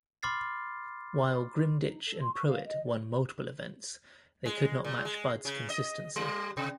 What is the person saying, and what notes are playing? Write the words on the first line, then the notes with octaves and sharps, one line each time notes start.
While Grimditch and Pruitt won multiple events, they could not match Budd's consistency.
B5 C6 D6 F6 A6 C7
D#4
A4
C6
C#6
F5
D#5
D5
G#3
A#2
G#3
C#3
D#5
G3
C3